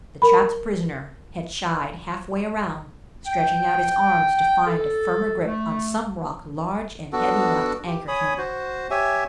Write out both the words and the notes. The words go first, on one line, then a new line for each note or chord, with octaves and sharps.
The trapped prisoner had shied halfway around, stretching out his arms to find a firmer grip on some rock large and heavy enough to anchor him.
A#4 B5
G5
A4
A3
B3 D4 F#4 A4
G4
C#5 G#5 B5 D#6
F#4 C5
G4 C#5 E5 G#5